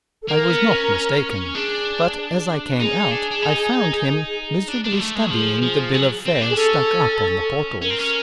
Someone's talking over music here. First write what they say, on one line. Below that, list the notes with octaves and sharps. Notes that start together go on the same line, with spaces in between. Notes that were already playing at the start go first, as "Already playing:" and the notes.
I was not mistaken, but as I came out I found him miserably studying the bill of fare stuck up on the portals.
A4
A#3 A#4
B3
C#4
D4 G#4
D#4 G#4
D4
D4
D#4
D4
D4
G#3
A3
G#3
F#3
F3 G#4
F3
F#3
C4
D4
G#4
C#4 A4
C#4 A#4
C4
C#4